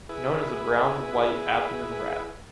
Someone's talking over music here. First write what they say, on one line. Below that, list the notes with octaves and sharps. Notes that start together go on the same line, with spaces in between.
Known as a brown-white abdomen rat.
E4 G#4 B4